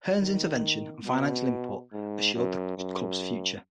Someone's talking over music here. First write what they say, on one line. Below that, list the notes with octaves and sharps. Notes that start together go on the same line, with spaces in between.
Hearn's intervention and financial input assured the club's future.
D#3
B2
G#2
F#2
F#2